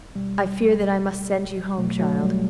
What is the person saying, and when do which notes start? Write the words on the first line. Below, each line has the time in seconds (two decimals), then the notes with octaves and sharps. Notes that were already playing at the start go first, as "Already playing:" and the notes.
I fear that I must send you home, child.
0.15 B2 G3
1.78 B2 F#3 A3
1.99 F#3 A3
2.19 G3